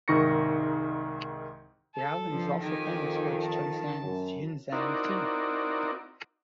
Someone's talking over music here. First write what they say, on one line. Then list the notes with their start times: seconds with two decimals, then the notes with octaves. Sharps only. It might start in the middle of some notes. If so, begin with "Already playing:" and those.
The island is also famous for its Junshan Yinzhen tea.
0.08 C2 G#2 D#3 C#6 A#6 C#7
1.95 A4
2.30 G2 F3
2.61 F2 D#3 G4 G#5
3.42 A5
4.01 F#2
4.72 C4 D#4 E4 F#4 A#4 D5